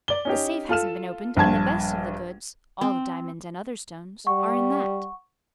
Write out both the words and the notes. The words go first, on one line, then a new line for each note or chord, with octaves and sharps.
The safe hasn't been opened, and the best of the goods--all the diamonds and other stones--are in that.
D5 G7
C#4 D#4 G4
F4 A4 F6 E7
A#1 G2 A5 G#6
C4
G3 F#5 C#6